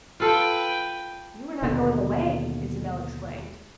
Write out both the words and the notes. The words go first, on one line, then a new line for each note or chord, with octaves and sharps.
"You're not going away!" Isabel exclaimed.
F4 A4 B4 G5
D#2 B2 D3 D#3